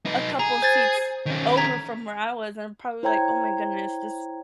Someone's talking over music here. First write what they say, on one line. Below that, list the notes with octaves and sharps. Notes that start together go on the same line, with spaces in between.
a couple of seats over from where I was and I'm probably like, "Oh my goodness, this
D#4 B4
G#4 A#5
C5 G#6 A6
D#3 C#4
A#5 G#6 B6
E4 C5 C#5 G5 A#5 G#6